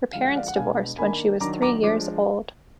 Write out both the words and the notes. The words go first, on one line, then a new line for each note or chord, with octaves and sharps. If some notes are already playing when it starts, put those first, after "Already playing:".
Her parents divorced when she was three years old.
D3 F3 G#3 F5
F#5
D5 F5
F#5
B2 G#3 B3 D4 F5 G#5
D#3 A#3 D4 G#5 B5
D#3 F#3 D4 A#5 D6
A#5 D6
F3 G#3 D4 D6